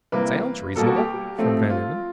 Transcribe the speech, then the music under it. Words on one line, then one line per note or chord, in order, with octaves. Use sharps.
"Sounds reasonable," from Van Emmon.
C3 E3 G3 A#3 B4
B2 G3 A#3 A4
F#4
G4
A2 F3 A3 C4
F4